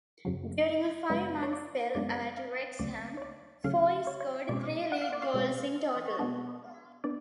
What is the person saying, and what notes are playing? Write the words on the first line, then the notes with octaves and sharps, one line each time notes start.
During a five-month spell at Wrexham, Foy scored three league goals in total.
F#2 C#3 F#3
F#2 C#3 G#3 B3 D4
C#5
D5
F#2 C#3 G#3 B3 D4 D5
F5
D2 C#3 F#3 A3 C#4 D5
C#5
D5
D2 C#3 F#3 A3 C#4 F5
C#5
C#5
B2 G#3 C#4 D5
F#5
F5
D5
F5
B2 G#3 C#4
B2 G#3 B3 D4
B3 D4 D5